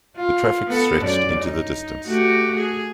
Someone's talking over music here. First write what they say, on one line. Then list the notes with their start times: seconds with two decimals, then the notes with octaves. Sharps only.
The traffic stretched into the distance.
0.16 F4
0.67 B3 A4
1.02 F#2 D5
1.41 D#4
2.06 A3 F#4 G4
2.56 G#4